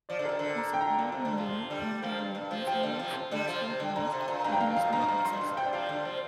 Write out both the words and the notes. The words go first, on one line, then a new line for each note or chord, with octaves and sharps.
A separate module or driver is needed for each database that must be accessed.
F3 D5
D3
C3 A#4
D3 C5
A#5
G5
A#5
G5
A#2
C3
D3
C3 F3
D3 G3
F3 A#3
G2
G2
C3 F3
C3 F3 G5
D3 G3
C3 F3
D3 G3
C3 F3
C3
D3 G5
D3 A#5
C3
A#2
G2 A#5
G5
G2 F5
F2 F5
G2 A#5
G2 A#5
F2 C6
A#2
G2
C3 G5
D5
C3 F3 F5
D3 G3
C3 F3